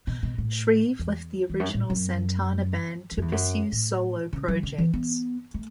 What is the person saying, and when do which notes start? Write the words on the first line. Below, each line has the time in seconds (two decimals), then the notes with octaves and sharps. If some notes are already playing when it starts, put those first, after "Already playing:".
Shrieve left the original Santana band to pursue solo projects.
0.07 B2
0.23 B2
0.38 A2
0.99 E2
1.49 E2
1.60 F#2
1.74 A2
1.90 F#2
3.11 E2
3.17 F#2
3.21 E2
3.32 F#2
3.72 A2
4.33 C#3
4.48 F#3
4.63 C#3
4.78 E3
4.93 B3
5.54 A3